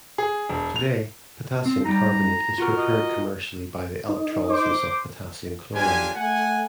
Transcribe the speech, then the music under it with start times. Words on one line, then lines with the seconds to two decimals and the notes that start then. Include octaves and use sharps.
Today, potassium carbonate is prepared commercially by the electrolysis of potassium chloride.
0.18 G#4
0.49 E1
0.76 F7
1.66 C4
1.86 G3 D#4 A#5
2.58 F4 F#4 A#4
2.78 D#5
4.09 D#4
4.49 C5 D6
5.75 B1 F#3 D4 F4 G4 G#5
6.15 A3 F#5 G#5